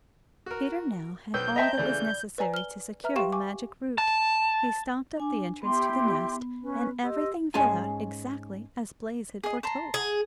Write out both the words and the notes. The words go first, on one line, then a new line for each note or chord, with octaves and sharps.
Peter now had all that was necessary to secure the magic root; he stopped up the entrance to the nest, and everything fell out exactly as Blaize had foretold.
F#4 A#4
B1 B4 C5 G5 E6 G6
C5 D#5 E5 G5 A5 A#5
C#3 E3 A3 D5
B4 D5 G#5 A#5
F6 G7
B4 E5 A#5 F6
G4 F5 G5 C6 C#6 E7
G#5 C#6 D6
A5
D4 G#5 D6
B3 E4 G4 C6
C#4 B4
G4 D#5 C6 E6
G#2 G#3 C#4 G#4 G#5 A5
G#4 D#5
A5 A#5 C6
G#4